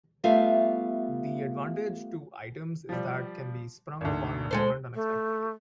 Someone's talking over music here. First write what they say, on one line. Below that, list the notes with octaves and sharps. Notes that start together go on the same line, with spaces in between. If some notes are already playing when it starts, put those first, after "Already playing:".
The advantage to Items is that can be sprung upon an opponent unexpectedly.
G3 A3 B3 F4 E5 F5
F3 G3
G#1 D2
G#3 A4 C5
A3